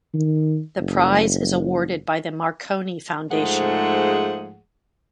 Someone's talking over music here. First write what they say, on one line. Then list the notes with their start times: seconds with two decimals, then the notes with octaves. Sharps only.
The prize is awarded by the Marconi Foundation.
0.14 D#3
0.78 F#1
3.31 G#2 F3 G#3 A3 G#4 F#5